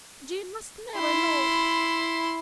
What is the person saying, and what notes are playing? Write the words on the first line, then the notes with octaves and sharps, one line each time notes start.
Jane must never know.
E4 C6